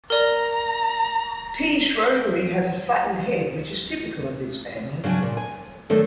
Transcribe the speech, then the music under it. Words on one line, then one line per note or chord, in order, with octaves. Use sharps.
"P. Schroederi" has a flattened head, which is typical of this family.
A#4 D5 A#5 G7
C#3 F#3 D4 G5 G#5
A#2
G#5
D#3 F#3 A3 D4 A4